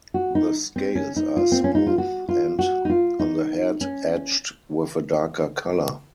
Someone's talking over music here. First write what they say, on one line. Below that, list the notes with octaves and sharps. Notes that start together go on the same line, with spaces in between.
The scales are smooth and, on the head, edged with a darker colour.
F#4
D#4
C4
C#4
D#4
F4
C4
C#4
D#4
F4
F#4
F4
F#4
D#4
F4
D#4
C#4